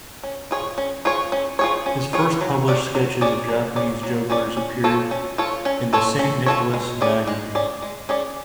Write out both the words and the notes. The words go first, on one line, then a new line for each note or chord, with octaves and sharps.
His first published sketches of Japanese jugglers appeared in the "Saint Nicholas Magazine".
C#4
F4 G#4 C#5
C#4
F4 G#4 C#5
C#4
F4 G#4 C#5
C#4
F4 G#4 C#5
F#3
C#4 G#4 D5
F#3
C#4 G#4 D5
F#3
C#4 G#4 D5
F#3
C#4 G#4 D5
C#4
F4 A4 C#5
C#4
F4 A4 C#5
C#4
F4 A4 C#5
C#4
F4 A4 C#5
G#3
C#4 G#4 D5
G#3
C#4 G#4 D5
G#3
C#4 G#4 D5